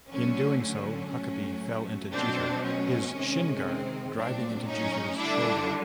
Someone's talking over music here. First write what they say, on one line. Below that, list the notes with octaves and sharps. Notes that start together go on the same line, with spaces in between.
In doing so, Huckaby fell onto Jeter; his shin guard driving into Jeter's shoulder.
D3 F#3 A3 C#4
C#4
A2 F#3 A3
B2 F#3 A3 C4 D4
C#4
C3 D#3 G#3
C4
A#2 F#3 A3 C4 D4
C#4 D#4
D3 G3 D4 E4